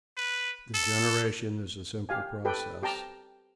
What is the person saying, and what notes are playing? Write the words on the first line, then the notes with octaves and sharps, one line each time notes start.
The generation is a simple process.
B4
A4
G4 F5 G#5
G4 A4 B4 G5
G4 G5 A5 A#5